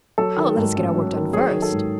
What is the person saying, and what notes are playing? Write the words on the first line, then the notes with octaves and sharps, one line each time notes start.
'Oh, let us get our work done first.'
F#3 A4
D#3
G#2
A1
F#3
D#3
F#3 G#4
D#3
A4
G#2